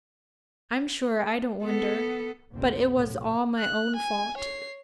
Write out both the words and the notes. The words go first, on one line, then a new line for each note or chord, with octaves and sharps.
I'm sure I don't wonder, but it was all my own fault.
B3 A4
A#1 E2 C#3 B3 C4
B1 A2 C3 F3
F#6
G#5
C#5 C7